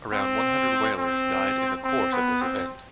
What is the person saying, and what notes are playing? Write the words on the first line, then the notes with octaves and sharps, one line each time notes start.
Around one hundred whalers died in the course of this event.
C4
C4
C4
B3
C4